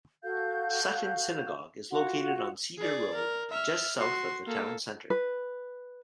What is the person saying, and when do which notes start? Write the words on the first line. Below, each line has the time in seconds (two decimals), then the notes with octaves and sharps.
Sutton Synagogue is located on Cedar Road, just south of the town centre.
0.23 F#4 A4 F5 G6
1.91 F4 F#4 F#5
2.78 G#4 D5
3.15 A#4
3.50 E5 F6
3.97 F#4 C6
4.47 A#3 A4
5.10 B4